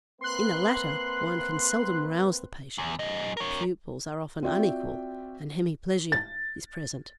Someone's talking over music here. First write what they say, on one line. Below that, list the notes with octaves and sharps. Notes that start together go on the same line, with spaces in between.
In the latter one can seldom rouse the patient, the pupils are often unequal, and hemiplegia is present.
A#3 C4 B4 C6 F#6
E2
F#2 D#5
A#4 C#5
C4 F4 F#4 D5 E5 G5
A6